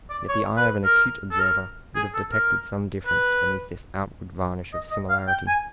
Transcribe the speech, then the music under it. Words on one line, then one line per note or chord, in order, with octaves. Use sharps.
Yet the eye of an acute observer would have detected some difference beneath this outward varnish of similarity.
D5
C#5
B4
A#4
A4
A#4
G#4
A4
A#4
B4
D#5
D#5
F5
G5
G#5